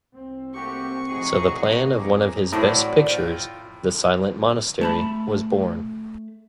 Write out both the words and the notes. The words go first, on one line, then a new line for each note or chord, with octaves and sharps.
So the plan of one of his best pictures, "The Silent Monastery", was born.
C2 C4
A3 A#3 F#4 G4 C#6
A2 F3 D#4 F#4 G#4
F2 C4 G#4 A#5 D6
A2 F#3 C4 D5
F4 G5
A3 A5 B5